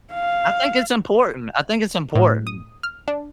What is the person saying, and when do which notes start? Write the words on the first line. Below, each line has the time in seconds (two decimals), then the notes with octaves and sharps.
I think it's important, I think it's important.
0.14 F5
2.15 A2
2.47 D#6
2.83 F6
3.08 D4